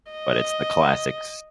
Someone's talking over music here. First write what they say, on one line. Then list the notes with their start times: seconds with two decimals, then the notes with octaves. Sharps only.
But it's the classics.
0.12 D#5